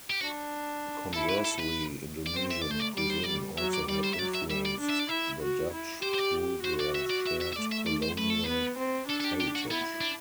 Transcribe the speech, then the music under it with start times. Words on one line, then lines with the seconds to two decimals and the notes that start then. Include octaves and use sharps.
Conversely, Indonesian cuisine also had influenced the Dutch through their shared colonial heritage.
0.10 G4
0.22 D4 F#4
1.13 E4 A4
1.29 B4
1.45 A4
1.60 B4
2.27 D5
2.36 C4 C5
2.51 E5
2.62 D5
2.66 A3 C5
2.79 D5
2.97 G3 D5
3.10 C5
3.23 G3 D5
3.58 F#3 E5
3.74 D5
3.88 G3 D5
4.04 C5
4.14 E5
4.19 F#3 D5
4.35 E5
4.50 G3 E5
4.65 D5
4.81 D4
4.89 E5
4.99 D5
5.09 E4 E5
5.42 F#4
5.73 E4
6.03 G4 C5
6.15 C5
6.19 D5
6.64 F#4 C5
6.80 D5
6.95 E5
7.10 D5
7.26 E5
7.41 E5
7.52 E5
7.56 A3 D5
7.72 E5
7.86 D5
8.02 C5
8.17 A3 B4
8.30 A4
8.44 B3 B4
8.79 C4
9.09 D4 A4
9.20 A4
9.24 G4
9.40 G4
9.55 F#4
9.71 B3 E4
10.01 D4